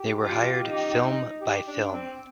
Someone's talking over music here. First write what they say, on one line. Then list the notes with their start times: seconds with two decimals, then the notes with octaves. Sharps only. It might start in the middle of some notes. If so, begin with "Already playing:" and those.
They were hired film by film.
Already playing: G4
0.24 F4
0.64 D#4
1.41 G4
1.67 D4
1.93 C4